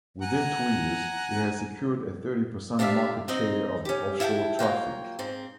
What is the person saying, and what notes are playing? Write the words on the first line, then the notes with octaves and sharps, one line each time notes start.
Within two years it had secured a thirty-percent market share of the offshore traffic.
F#5 G#5 A#5
D4 F4 G4 C#5 E5 F5
C4 D#4 D#5
C#4 G4
E4 E5 F#5 G5 A5
F#3 A#3 F4 G5
G#2 C4